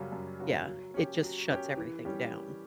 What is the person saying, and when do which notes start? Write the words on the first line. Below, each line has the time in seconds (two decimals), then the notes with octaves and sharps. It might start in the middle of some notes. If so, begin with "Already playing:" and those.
yeah. It just shuts everything down.
Already playing: F#2 C#3 G3 C#4 F#4
0.12 F#2
0.40 C#3 G3 C#4 F#4
0.67 F#3
0.94 C#4 G4
1.23 F#3
1.50 C#4 G4
1.77 E3
2.05 G3 C#4 G4
2.33 E3